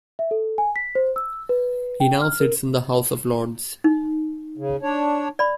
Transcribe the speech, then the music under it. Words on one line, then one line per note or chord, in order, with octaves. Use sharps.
He now sits in the House of Lords.
E5
A4
G#5
B6
C5
E6
B4
G5
F6
A#4
D#4
C#3
D4 C#5
D5 B5